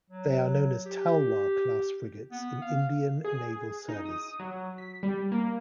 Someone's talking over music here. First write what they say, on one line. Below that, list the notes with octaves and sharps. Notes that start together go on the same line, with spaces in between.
They are known as "Talwar"-class frigates in Indian naval service.
F#3
G4
B3
F5
G#4
D#4
D#6
F#3
B6
G3
A#3